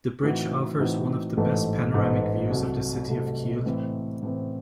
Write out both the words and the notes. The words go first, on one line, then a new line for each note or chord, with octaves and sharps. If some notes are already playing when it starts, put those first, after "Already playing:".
The bridge offers one of the best panoramic views of the city of Kiel.
A2 E3 C4 D#4 F#4
A2 E3 C4 D#4 F#4
A1 G#2 E3 A3
A1 G#2 E3 A3
C2 C3 F#3 A3
C2 C3 F#3 A3
A2 E3 C4
A2 E3 C4